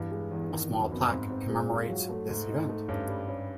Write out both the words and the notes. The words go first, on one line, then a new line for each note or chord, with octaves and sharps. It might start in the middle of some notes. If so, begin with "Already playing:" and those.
A small plaque commemorates this event.
Already playing: E2 G2
G#3
E2
D#3
F#3
F2
F#2 B3
G2
G#2 C4
C4
G#3
F4
F#3
A3
G#2 A3
D#4
A3
G2 C#4
G3
C#4